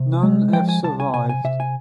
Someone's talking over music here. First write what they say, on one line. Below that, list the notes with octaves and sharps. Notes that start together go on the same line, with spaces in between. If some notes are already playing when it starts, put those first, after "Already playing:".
None have survived.
Already playing: C3
G#3
F3 G5
G#5
C2 A5
G#5
C3 G#5
G#5
C3 E5
G#5